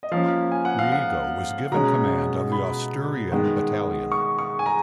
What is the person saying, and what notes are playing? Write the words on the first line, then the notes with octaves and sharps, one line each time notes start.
Riego was given command of the Asturian Battalion.
D#5
F3 A#3 C#4 F5
G#5
F#5
F5
F#5
B2 G#3 C#4 A#5
B5
D#3 G#3 B3
C#6
C#6
G#5
A#5